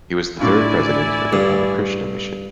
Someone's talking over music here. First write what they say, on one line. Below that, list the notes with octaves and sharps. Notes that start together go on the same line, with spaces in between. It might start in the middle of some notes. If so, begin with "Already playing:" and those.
He was the third president of the Ramakrishna Mission.
A2 D4 E4 F4 D5 G#5
G2